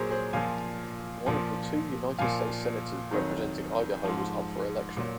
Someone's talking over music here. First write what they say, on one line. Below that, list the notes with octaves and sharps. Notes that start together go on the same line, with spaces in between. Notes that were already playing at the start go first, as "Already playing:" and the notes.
One of the two United States Senators representing Idaho was up for election.
Already playing: A#2 F#3 G#4 A#4 C5 C#5
G#4 C5
A#2 F3 F5 G#5
A#2 F3
A#2 F3 F5 G#5
F2 D#3 F#3
G#2 F3
A#2 F#3